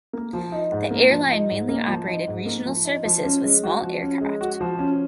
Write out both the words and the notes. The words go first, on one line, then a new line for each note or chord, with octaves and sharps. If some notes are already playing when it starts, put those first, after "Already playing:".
The airline mainly operated regional services with small aircraft.
A#3
F3
D#4
G#2
A#3
F3
D#4
G#2
A#3
F3
D#4
G#2
A#3
F3
D#4
F3
C#4
G#3
F#4
F3
C#4
G#3
F#4
F3
C#4